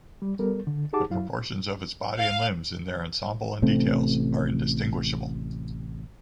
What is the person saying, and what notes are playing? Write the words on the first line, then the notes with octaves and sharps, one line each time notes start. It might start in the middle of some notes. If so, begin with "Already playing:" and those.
The proportions of its body and limbs in their ensemble and details, are indistinguishable.
G3
G3 B3 A4 A#4
D3
D#4 G4 G#4 F#5 A5 D6
F#2 F#3 E4 F5
F5
A1 C3 A3 C4